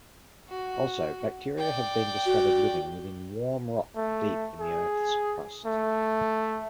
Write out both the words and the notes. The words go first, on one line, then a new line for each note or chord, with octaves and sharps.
Also, bacteria have been discovered living within warm rock deep in the Earth's crust.
F#4
D5 G5
F#4
A3
G#4
A3